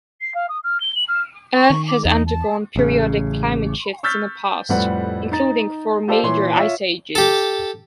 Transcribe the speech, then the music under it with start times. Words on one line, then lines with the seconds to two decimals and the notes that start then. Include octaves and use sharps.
Earth has undergone periodic climate shifts in the past, including four major ice ages.
0.21 C7
0.34 F5
0.49 D#6
0.63 F6
0.80 G7
0.95 F#7
1.07 F6
1.56 C#6
1.70 D#3
1.88 D6
2.05 E2 D#4
2.27 A5
2.76 A1 C#3
4.03 C#6 E6 F6 G6 A6 B6
4.69 F2 A2 G3 B4 F#5
5.31 D#4 A#5 A6
6.08 F4 G4 A4 C5 D5 F5
6.23 A#2 E3 C#5 C6
6.55 F4 C#5 E5
7.15 G4 A4